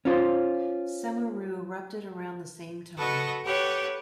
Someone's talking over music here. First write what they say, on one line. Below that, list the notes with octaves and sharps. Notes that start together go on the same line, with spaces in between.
Semeru erupted around the same time.
C#4 F4 C5
F#4 A4 B4 D#5 A5 C#6
G4 A4 B4 C#5 F#5